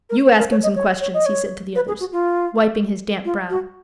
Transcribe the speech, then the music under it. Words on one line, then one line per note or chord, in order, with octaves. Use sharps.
"You ask him some questions," he said to the others, wiping his damp brow.
A#4
B4
A#4
C#5
D#5
C#5
C#5
D#5
C#5
B4
G#4
F#4
F4
F4
F#4